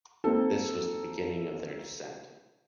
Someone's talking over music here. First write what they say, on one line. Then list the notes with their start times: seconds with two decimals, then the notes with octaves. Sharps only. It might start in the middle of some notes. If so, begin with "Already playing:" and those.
This was the beginning of their descent.
0.24 A#3 C4 D#4 A4